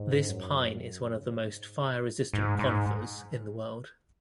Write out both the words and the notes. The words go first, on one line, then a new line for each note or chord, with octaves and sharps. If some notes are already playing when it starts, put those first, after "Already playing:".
This pine is one of the most fire-resistant conifers in the world.
Already playing: G#2
F#2
C#3
B2
G#2
G#2
G#2